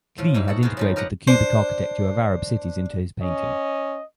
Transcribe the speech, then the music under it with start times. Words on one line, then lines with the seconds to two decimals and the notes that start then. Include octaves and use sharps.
Klee had integrated the cubic architecture of Arab cities into his painting.
0.18 A2 F3 F5
0.34 G#2 G3 D#4 E4
0.48 F#4 A4 F#5
0.63 B3 G#4 A#4 C5
0.77 C#3 F3 D#4
0.96 G4 A#4 B4 F#5 A#5
1.28 D4 C5
3.22 C#4 D#5